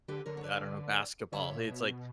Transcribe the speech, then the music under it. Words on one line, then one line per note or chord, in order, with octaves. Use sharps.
I don't know, basketball." It's like,
D3 G4 B4
D3 A#4 C#5
C#5
B4 D5
D3 C#5 E5
C#3
D3
A#2
B2